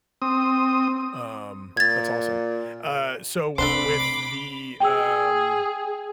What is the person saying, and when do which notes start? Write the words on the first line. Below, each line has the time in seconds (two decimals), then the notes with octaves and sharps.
Um, that's awesome. Uh, so, with the, um
0.22 C4 D#6
1.77 A#2 G#6 A6
3.58 C3 A3 D4 C5 B5 D6 C7 G7
4.80 G#4 G5 E6